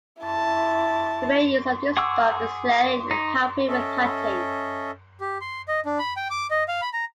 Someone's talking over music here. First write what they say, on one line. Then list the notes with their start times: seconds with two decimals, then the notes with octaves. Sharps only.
The main use of this dog is sledding and helping with hunting.
0.23 E4 A5
1.97 G#4 F#5 C#6 D6 E6
3.11 D#4
3.68 C#4 A4 D#5 E5
5.20 G4
5.41 C6
5.68 D#5
5.86 D4
5.99 B5
6.17 G5
6.30 D6
6.51 D#5
6.68 F5
6.82 B5
6.93 A#5